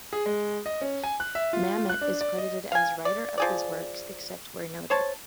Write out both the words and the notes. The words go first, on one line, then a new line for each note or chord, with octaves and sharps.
Mamet is credited as writer of these works except where noted.
G#4
G#3
D#5
C#4
G#5
F#6
E5
F4
F#6
D4
D5
D#5
F5 G#5
D5
F3 G#4 D5
C5 C#5 A5